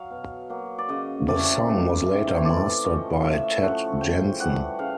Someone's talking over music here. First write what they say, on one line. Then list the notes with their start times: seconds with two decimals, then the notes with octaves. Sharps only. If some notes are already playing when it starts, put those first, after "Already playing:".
The song was later mastered by Ted Jensen.
Already playing: F#3 F5
0.11 B2
0.50 F#3 A#3
0.78 D5
0.89 C#3 D#5
1.28 E3 A3 C4 D5
1.36 C#5
1.45 D5
1.67 C#3
2.06 E3 A3 C4
2.28 C5
2.36 C#5
2.45 A2 D5
2.84 F3 A3 C#4 D#5
3.23 A2 E5
3.62 F3 A3 C#4 F#5
4.01 C#3 G5
4.40 E3 G3 F#5
4.79 C#3 F5